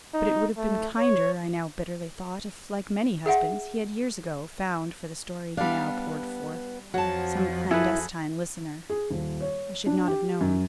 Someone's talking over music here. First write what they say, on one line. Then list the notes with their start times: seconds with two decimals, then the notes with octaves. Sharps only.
But it would have been kinder, I now bitterly thought, if, like many husbands, he had years ago found for the story he now poured forth some clandestine listener; I should not have known.
0.14 D#4
0.57 A3
0.98 C#5
3.26 G#4 E5 F#5
5.57 G3 B3 D4 F5
6.94 F2 F3 F#3 F#4 A5
7.71 E4 G#4 A4 B4
8.90 G#4
9.11 D#1
9.41 C#5
9.86 D4
10.08 G4
10.41 F#2